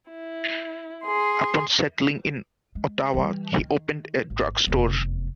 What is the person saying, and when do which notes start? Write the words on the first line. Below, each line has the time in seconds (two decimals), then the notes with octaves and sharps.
Upon settling in Ottawa, he opened a drug store.
0.11 E4
1.04 G#4 C6
2.75 G#3
3.14 E3 G3
3.58 D#3
4.30 G#1
4.67 F1 E2